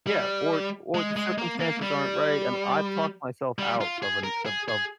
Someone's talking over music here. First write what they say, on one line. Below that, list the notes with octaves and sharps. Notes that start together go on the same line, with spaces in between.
Yeah, or or the circumstances aren't right, and I've talked myself out of an o of
G3
G#3
G#3
A#3
A#3
G3
G3
F4
G#4
A#4
G#4
G#4